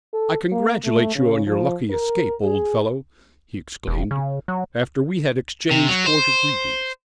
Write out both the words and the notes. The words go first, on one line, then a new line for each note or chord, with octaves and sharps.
"I congratulate you on your lucky escape, old fellow," he exclaimed, after we had exchanged cordial greetings.
A4
A#3
A3
C#3
F3
A#4
G#4
E1
C#3
F#3
C3
F#3
C5